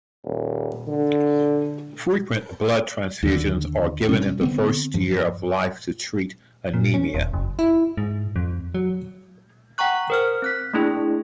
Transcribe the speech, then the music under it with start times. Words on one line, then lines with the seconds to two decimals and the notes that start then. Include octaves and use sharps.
Frequent blood transfusions are given in the first year of life to treat anemia.
0.24 D#1
0.87 D3
3.23 D#2 D3
4.09 B2 G3 C#4
4.41 D3 B3 C4
4.94 G2 F3
6.74 A#2
6.94 C#4
7.14 D#1
7.34 F#1
7.59 E4
7.97 G#2
8.36 F2
8.74 F#3
9.78 F#5 G5 A#5 C#6 F#6
10.10 A#4 C5 F6
10.42 C4 F#6 B6
10.73 A3 A#3 D4 E4 G#4